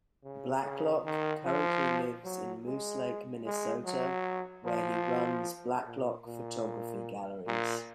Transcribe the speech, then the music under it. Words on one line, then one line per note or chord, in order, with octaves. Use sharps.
Blacklock currently lives in Moose Lake, Minnesota, where he runs Blacklock Photography Galleries.
C#3
C#3
D#3
F3
F#3
G#3
G#3
F#3
F3
A#2
A#2
A#2